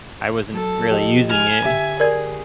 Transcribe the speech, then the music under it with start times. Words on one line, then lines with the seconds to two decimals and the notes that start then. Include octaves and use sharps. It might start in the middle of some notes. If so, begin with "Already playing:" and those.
I wasn't really using it.
0.54 F#3 A4
0.89 F3 G4 D#5
1.30 G#5 F6
1.65 D3 G4 E5
2.00 G#4 A#4 D5 G#6